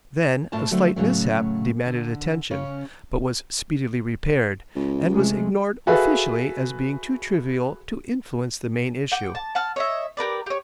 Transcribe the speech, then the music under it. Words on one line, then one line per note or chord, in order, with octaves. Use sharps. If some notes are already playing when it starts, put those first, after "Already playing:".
Then a slight mishap demanded attention, but was speedily repaired, and was ignored officially as being too trivial to influence the main issue.
A2 A3 F4 A5
D3 F#3 A3 C4
A2 C#3 F#3 A3
D3
C#3 C#4
C#2
C3 G#3 A3
F#4 G#4 A4 B4 E5 F5
F#5 G5 D6
A5
F#5 A5 F6
C#5 D#5 E5
G4 A#4 B4 D5
G4 C#5